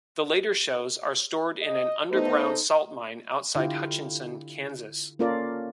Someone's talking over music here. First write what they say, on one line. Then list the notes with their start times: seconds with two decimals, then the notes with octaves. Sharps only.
The later shows are stored in an underground salt mine outside Hutchinson, Kansas.
1.62 D#5
2.12 A3 B3 D#4 C5
3.55 D3 E4 F4 G4
5.19 A#3 C#4 F4 A4 A#4 D5